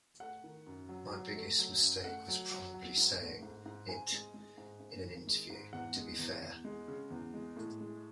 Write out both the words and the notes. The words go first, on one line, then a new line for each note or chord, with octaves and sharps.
My biggest mistake was probably saying it in an interview, to be fair.
A3 F#5
D#3
F#2
F#3
F#3
A3
F#3
F#2
A3 F#5
F#3
F#3
F#3
G#2
A3
G#2
G#2
G#2 G#5
G#3
G#3
G#2
G#2
D#3
G#3
G#2
E2 F#5
G#3
E2
E2
G#3
C#3
E2
G#3
A2
G#3